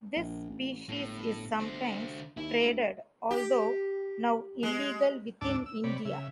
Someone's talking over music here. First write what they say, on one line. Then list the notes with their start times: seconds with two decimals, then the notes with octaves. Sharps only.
This species is sometimes traded although now illegal within India.
0.16 A#1
0.50 A1
0.89 G1 A2
1.60 D3 C5
2.37 D#2 E4
2.62 D2
3.31 G4
4.63 G#3
5.41 D2 G#2 D4 A5 D6 E6
5.66 E6
5.84 C3 C#5 D5 B5
6.05 C#3 E5